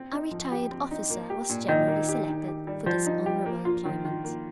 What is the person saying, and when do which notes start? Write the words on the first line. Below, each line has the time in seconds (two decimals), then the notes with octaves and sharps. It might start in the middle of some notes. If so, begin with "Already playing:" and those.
A retired officer was generally selected for this honourable employment.
Already playing: C4
0.12 D#4
0.31 F3
0.52 G4
0.71 C4
0.91 D#4
1.10 A#3
1.30 G4
1.49 A#2
1.68 A#2 D#3
1.88 A#3
2.09 G4
2.28 D#4
2.48 G4
2.67 G3
2.86 F3 G3
3.06 D#4
3.26 G4
3.46 A#3
3.65 F4
3.85 D#3
4.05 D#3
4.24 A#3